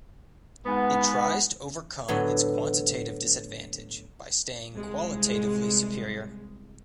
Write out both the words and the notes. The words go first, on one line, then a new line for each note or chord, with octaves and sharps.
It tries to overcome its quantitative disadvantage by staying qualitatively superior.
G#2 B3
A2 D3 F#3 B3
C2 G#3